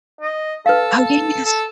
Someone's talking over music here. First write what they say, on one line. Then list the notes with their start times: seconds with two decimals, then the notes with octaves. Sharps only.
Oh, yes.
0.21 D#5
0.66 A4 B4 F5
0.96 A4
1.45 A4